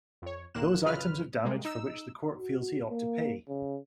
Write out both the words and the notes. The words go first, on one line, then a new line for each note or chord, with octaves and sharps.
Those items of damage for which the court feels he ought to pay.
F2 C#5
D#2 A#2 A#3 F#6 E7
F#2 C#3 F4 B4 F6
C3 G3 G#3 A#3
D#4 E6
F#4
A#3
C#3